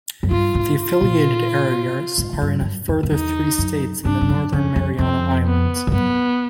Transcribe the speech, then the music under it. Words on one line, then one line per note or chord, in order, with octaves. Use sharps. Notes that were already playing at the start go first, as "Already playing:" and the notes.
The affiliated areas are in a further three states and the Northern Mariana Islands.
F#2
G2 F4
G#2
F4
A#2
G#2
G#2
G2
G2
F#2
F2
F2
E2 D#4
F#2
G2 D4
G2
F#2
F2 C#4
F2
F2 C4
B3
G2
F#2 B3